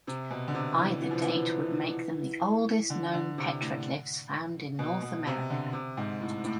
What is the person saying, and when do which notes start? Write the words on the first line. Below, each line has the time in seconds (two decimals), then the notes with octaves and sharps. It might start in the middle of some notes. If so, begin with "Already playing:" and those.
Either date would make them the oldest known petroglyphs found in North America.
0.07 C3
0.31 B2
0.48 D3
0.55 C3
0.78 E3
1.01 E3
1.11 F3
1.20 E3
2.90 D3
3.14 D3
3.38 C3
3.61 A2
4.79 B2
5.02 B2
5.27 C3
5.50 D3
5.73 C3
5.97 G#2
6.21 A2
6.44 A2